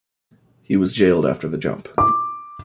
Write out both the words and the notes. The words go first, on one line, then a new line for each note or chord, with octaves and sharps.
He was jailed after the jump.
D6